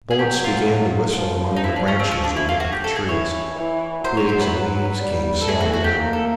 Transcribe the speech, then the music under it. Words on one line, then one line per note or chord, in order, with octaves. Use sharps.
Bullets began to whistle among the branches and nip at the trees. Twigs and leaves came sailing down.
G#4
F#3 G4
F4
F3
D#4
E4
D4
C#4
C4
C#4
D4
E4
F4
F#4
G4
A4
G#4
E3 C#5
E3
F#3 C5
C#5
C5
B4
G3
A4
A3 G#4
F#4
F#4
G4
A#3
A4